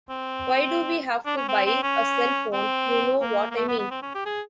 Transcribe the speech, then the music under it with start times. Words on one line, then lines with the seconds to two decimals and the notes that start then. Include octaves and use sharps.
Why do we have to buy a cell phone, you know what I mean?
0.10 C4
1.26 D4
1.37 C#4
1.49 C4
1.66 C4
1.83 C#4
2.53 C4
3.21 A#3
3.51 A#3
3.57 A3
3.68 B3
3.79 B3
3.91 C4
4.03 C#4
4.14 G4
4.26 G#4